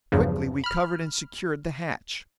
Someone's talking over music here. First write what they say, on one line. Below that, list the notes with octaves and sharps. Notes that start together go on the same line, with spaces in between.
Quickly we covered and secured the hatch.
E2 G2 C#3 F3 F#3
B5 F6